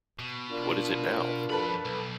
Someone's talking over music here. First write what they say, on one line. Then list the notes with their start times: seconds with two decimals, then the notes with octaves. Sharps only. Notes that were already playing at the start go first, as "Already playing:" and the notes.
What is it now?
0.19 B2
0.50 D4 F4 A#4
1.50 F2 A4 B4 A5 B5
1.85 B1